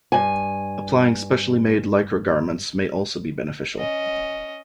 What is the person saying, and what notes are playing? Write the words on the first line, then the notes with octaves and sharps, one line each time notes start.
Applying specially made Lycra garments may also be beneficial.
G2 G#5
C#4 D#5